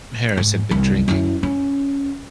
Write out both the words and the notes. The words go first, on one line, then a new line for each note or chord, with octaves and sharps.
Harris had been drinking.
G#2
C2
F#2 E4
C#4